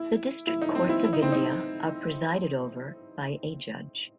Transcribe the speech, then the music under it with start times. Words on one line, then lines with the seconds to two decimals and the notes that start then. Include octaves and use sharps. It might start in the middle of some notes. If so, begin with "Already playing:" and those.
The District Courts of India are presided over by a judge.
Already playing: E4
0.47 E4
0.62 D#4
0.75 C4
0.89 E4
1.04 E4
1.13 D#4
1.22 C4
1.32 D#4